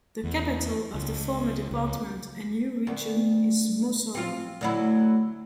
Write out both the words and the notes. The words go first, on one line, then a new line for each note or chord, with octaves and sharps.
The capital of the former department and new region is Moussoro.
E2
C#2
C#2
D2
C4 F4
D2 F#3 E4